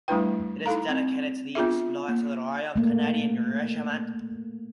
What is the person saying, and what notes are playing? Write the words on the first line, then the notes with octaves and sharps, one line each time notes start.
It is dedicated to the exploits of The Royal Canadian Regiment.
G3 A3 D4 E4 B4 G5
D#4 E4 A4 F5 A#5
C4
B3 D4 F4 G#4 E5
A#3
A3 A#3